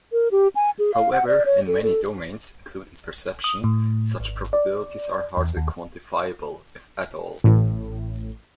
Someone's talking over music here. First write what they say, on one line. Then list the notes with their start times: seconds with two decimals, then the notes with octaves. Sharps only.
However, in many domains, including perception, such probabilities are hardly quantifiable, if at all.
0.12 A#4
0.32 G4
0.56 G#5
0.79 G#4
0.94 F5
1.12 F#5
1.27 D5
1.46 C#5
1.67 A4
1.83 A4
3.44 D#6
3.64 A2
4.20 G#1
4.53 D5
5.37 E2
5.57 D#2
7.44 A1 A2